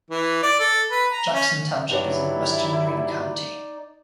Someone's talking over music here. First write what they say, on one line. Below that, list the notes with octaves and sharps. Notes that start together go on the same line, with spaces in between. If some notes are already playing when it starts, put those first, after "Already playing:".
Jackson Township is in western Greene County.
E3
D5
A4
B4
A#5
C#4
G2 F#3 D#4 E4 D5